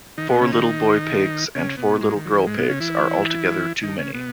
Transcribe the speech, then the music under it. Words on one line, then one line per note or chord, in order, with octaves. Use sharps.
Four little boy pigs and four little girl pigs are altogether too many.
D#3 D#4
B2 B3
C#3 C#4
D#3 D#4
C#3 C#4
B2 B3
G#2 G#3
D#3
F#3
E3
G#2 G#3
B2 B3
C#3 C#4
E3 E4
D#3 D#4
C#3 C#4
B2 B3